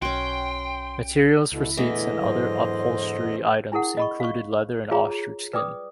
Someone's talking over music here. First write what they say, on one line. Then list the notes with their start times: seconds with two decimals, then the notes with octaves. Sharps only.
Materials for seats and other upholstery items included leather and ostrich skin.
0.02 B1 C#4 F#4 G5 C6
1.52 C#2 B2 D3 E4
1.77 E2 A#2 D3 E3 A3 B3 D#5
2.21 G#2 F#3 C5
3.72 D4 E4 G#4 A#4 F#5
3.97 D#5 B5 C#6
4.20 F5 C#6
4.91 F4 G#4 C#5 A#5
5.53 B4 D5 G5 D6 D#6